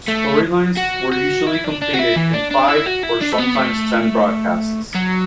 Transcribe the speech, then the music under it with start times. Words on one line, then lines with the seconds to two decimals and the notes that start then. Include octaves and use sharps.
Storylines were usually completed in five, or sometimes ten broadcasts.
0.08 A3
0.77 F#4
1.12 F#4
1.47 E4
1.64 D4
1.82 D4
1.94 F#4
2.00 E4
2.16 E3
2.34 D4
2.51 D4
2.68 E4
2.86 F#4
3.03 E4
3.21 D4
3.32 A3
3.38 B3
3.55 A3
4.95 F#3